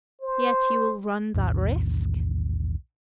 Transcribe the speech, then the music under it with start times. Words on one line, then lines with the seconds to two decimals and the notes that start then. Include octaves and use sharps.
"Yet you will run that risk?"
0.21 C5
1.34 B1 E2 A2 D#3